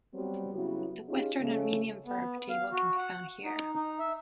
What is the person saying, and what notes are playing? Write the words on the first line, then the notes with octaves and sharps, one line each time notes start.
The Western Armenian verb table can be found here.
F#3 G3 B3 C4 F#4 G4
C#3 F#3 B3 E4 F#4
C#4 D#4 F4 G4 G#4
F2 C#3 G#3 A3 C#4 A4
B3
F5
F#4
F#5
D#4
D#4
E5